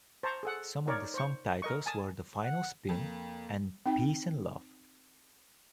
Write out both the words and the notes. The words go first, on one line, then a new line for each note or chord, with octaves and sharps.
Some of the song titles were "The Final Spin" and "Peace And Love".
C5 A5 A#5 C#6
G#4 A4 F#5
D#4 A#4 C#5 D5
C5 C#6
A#4 D#5 C#6
G#5 A5 D#6
F#5
F2 A#3
C4 D#4 G5